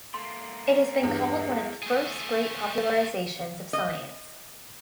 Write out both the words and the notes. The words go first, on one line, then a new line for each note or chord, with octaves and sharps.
It has been called one of the first great popularizations of science.
A3 A#3 C6
E2 G2
A3 G#4
D#5